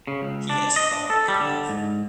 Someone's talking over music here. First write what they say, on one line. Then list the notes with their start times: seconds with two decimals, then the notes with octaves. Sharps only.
He has fallen in love.
0.07 C#3
0.22 C#2
0.50 D4
0.76 D#5
0.91 D4
1.10 A4
1.28 G3
1.41 D3
1.69 G#2